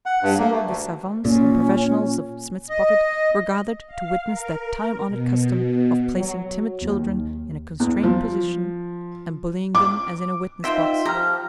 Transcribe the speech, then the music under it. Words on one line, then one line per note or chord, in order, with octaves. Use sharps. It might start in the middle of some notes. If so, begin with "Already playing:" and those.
So the savants and professionals of Smith's Pocket were gathered to witness that time-honored custom of placing timid children in a constrained positions and bullying them as in a witness box.
F#5
G2
A#3
A3
D2
A#2 C#4
D#5
F5
A#4
B2
F#3
D#2
E2
F3
D6
D#4 F4 C5 E5 G5
F3 G4 A#5 F6